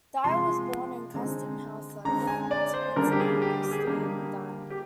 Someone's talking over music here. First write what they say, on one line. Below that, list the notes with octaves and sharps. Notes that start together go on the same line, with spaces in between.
Dyer was born in Custom House, London, to Antony and Christine Dyer.
C3 F3 G#3 C6
D3 G#3 C4 D#4
D3 G#3 C4 D#4 A#5
G#5
D5
C5
D3 G3 A#3 D#4 A#4
G4
G#4
G4
G4
G#4
G4
D3 G3 A#3 D#4
G4